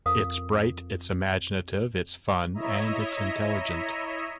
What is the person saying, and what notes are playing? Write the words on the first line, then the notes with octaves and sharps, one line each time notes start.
It's bright, it's imaginative, it's fun, and it's intelligent.
F2 A#4 F5 D#6
E4 C#5 D#5 E5 A#5